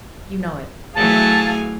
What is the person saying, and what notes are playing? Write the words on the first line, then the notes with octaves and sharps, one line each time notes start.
You know it.
E3 F#3 A3 G#4 F5 G#5 A5